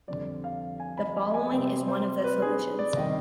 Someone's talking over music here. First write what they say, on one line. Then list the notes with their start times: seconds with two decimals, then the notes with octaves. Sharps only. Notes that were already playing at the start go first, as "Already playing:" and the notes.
The following is one of the solutions.
0.08 F2 D3 G3 D5
0.44 F5
0.80 G#5
0.98 B5
1.16 G#5
1.34 G#5
1.52 C3 G3 C4 G5
1.88 C5
2.24 B4
2.42 G#4
2.79 D5
2.96 C3 D#3 G3 D#5